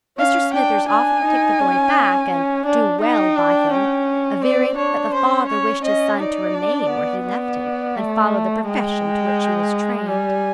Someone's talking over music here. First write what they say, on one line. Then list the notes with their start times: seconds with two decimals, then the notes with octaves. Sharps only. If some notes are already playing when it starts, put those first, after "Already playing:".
Mr. Smithers offered to take the boy back and "do well by him," averring that the father wished his son to remain where he left him, and follow the profession to which he was trained.
0.18 C#4 F5
0.54 D4 G5
0.89 D4 G#5
1.24 D#4
1.60 C#4
2.30 C#4
2.66 D4
3.01 D#4 G5
3.36 D4
3.72 C#4
4.42 C4 D5
4.77 D4 C#5
5.12 C#4 C5
5.48 C#5
5.83 C#4 D#5
6.19 D#4 D5
6.54 D4
6.89 B3
7.25 D5
7.96 A3
8.66 G#3 G5
10.07 G3 G#5